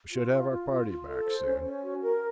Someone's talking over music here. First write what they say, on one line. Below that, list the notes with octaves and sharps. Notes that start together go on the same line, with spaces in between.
We should have our party back soon.
F4
F4
F4
F4
F4
A4
C5
C#4
C#4
F#4
A#4